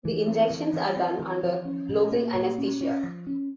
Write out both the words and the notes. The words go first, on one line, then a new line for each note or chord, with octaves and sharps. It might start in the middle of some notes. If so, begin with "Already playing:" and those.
The injections are done under local anesthesia.
E3
C4
E3
E3
C4
E3
F3
C#4
A#2
A#3
A#2
C#4
C#4
F3
C#4